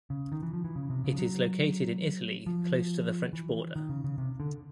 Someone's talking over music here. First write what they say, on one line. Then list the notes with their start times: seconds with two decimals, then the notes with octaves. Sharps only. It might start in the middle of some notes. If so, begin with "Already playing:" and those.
It is located in Italy close to the French border.
0.10 C#3
0.32 D#3
0.43 E3
0.54 F3
0.64 E3
0.76 C#3
0.90 C3
1.04 C#3
1.13 F3
1.18 F#3
2.46 F3
3.33 E3
3.76 D#3
3.89 C#3
4.04 C#3
4.18 C3
4.40 D3